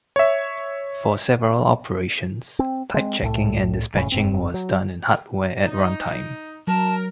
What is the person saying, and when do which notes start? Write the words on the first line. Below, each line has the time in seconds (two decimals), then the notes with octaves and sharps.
For several operations, type checking and dispatching was done in hardware at runtime.
0.16 C#5 E5
2.59 C4
2.94 G#3 C4
3.22 C2 A2 A3
3.94 D#1 F2 A2 C#3
4.12 F1 G2 C4
4.54 F#3
5.66 D#4
6.67 F#3 A#4 A5